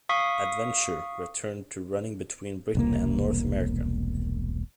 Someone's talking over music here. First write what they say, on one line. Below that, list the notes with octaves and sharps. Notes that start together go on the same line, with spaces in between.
"Adventure" returned to running between Britain and North America.
F5 C#6 D#6 B6
E1 C2 A#3